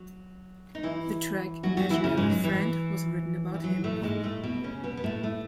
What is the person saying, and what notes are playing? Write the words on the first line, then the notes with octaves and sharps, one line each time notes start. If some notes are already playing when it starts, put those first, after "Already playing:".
The track, "Imaginary Friend", was written about him.
Already playing: F#3
D#4
E3 E4
F#3 F#4
F#3 F#4
E3 E4
C#3 C#4
G#2 G#3
F#3
E3
E3
F#3
A2 A3
G#2 G#3
A2 A3
B2 B3
C#3 C#4
B2 B3
B3
A2 A3
A2 A3